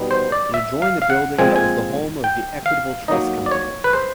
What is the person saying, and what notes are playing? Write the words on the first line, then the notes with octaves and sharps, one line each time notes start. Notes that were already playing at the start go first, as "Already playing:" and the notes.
It adjoined the building that was the home of Equitable Trust Company.
Already playing: B2 G3 B3 D#4
C5
D5
E5
F5
F5
F#5
A#2 F3 G#3 C4 G#5
G#5
G5
F5
F#3 A#3 D#4 D#5
D5
C#5
B4
C5